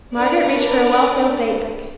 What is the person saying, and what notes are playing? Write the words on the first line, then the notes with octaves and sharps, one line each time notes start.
Margaret reached for a well-filled date-book.
D4 A#4 B4 D5